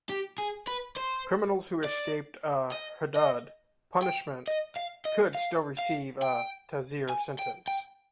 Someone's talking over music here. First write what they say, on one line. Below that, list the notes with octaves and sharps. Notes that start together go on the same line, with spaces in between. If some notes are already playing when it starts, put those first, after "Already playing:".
Criminals who escaped a "hudud" punishment could still receive a "ta'zir" sentence.
G4
G#4
B4
C5
D5
D#5
D#5
G5
D#5
F5
D#5
F5
F5
G5
G#5
G5
G5